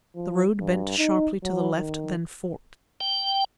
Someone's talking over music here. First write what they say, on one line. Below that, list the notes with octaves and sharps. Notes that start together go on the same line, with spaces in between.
The road bent sharply to the left then forked.
F3
G2
D#4
F#3
D#3
G5